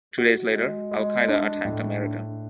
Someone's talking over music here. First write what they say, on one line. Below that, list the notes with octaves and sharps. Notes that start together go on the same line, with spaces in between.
Two days later, Al Qaeda Attacked America.
F#4
G#3
G#3
D4
A2
D4